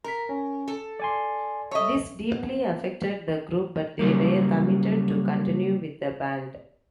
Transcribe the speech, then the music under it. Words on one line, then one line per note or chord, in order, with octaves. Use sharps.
This deeply affected the group, but they were committed to continue with the band.
A#4 A#5 B6
C#4
A4
D5 G#5 C6
A4 C#5 D#5 E5
B3
C#3 F#3 G3 A#3